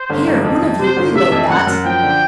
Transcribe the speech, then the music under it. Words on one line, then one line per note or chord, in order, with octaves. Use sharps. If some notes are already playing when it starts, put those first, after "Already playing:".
Here, one of you, reload that.
Already playing: C5
G1
G1
F2
F2
C3 C5
G1
C3 E5
F2
F#2 F#5
F#2
F3 G5
D3